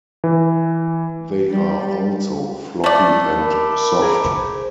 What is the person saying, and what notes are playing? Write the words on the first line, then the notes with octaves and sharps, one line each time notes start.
They are also floppy and soft.
E3
G3
A3 D5
A#4 B5 D6
G#4 A#4 C5